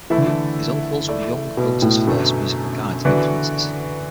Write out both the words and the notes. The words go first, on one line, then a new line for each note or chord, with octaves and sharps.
His uncles were young Otar's first musical guides and influences.
E3 A3 E4 A4 E5
D3
E3
A3 E4 D5
B2
A2
F#2 B2 D3 A3
D3 E3 B3 F#4 D5